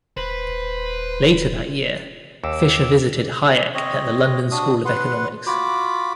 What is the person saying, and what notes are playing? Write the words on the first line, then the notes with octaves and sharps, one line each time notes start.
Later that year, Fisher visited Hayek at the London School of Economics.
D#1 B4 C5
D#2 D6 E6
C4 C#5 D#5
D4 F#4 D#6
B4 F#5 C6
F4 F#4 B5 D6